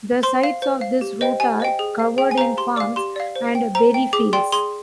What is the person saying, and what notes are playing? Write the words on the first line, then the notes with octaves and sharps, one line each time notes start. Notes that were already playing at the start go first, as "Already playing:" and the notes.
The sides of this route are covered in farms and berry fields.
C5 C6
F5
C5
F5
G4
C5 D#5 G5
G4 G#5
C5 D#5 G5
G#4
C5 F5
G#4 G5
G#5
C5 F5 A#5
G4 C6
D5 F5 D6
G4 C6
D5 F5
C5
G5
C5 A#5
G5
G#4 D6
D5 G5 C6
G#4 C6